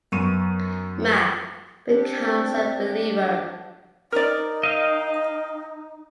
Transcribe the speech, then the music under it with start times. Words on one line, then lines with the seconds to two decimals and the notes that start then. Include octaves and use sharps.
Mac, becomes a Believer.
0.12 F#2 B3 C#6 D#7
1.89 C4 D4 G4
4.12 D#4 A#4 D5
4.63 D#5 F5 G5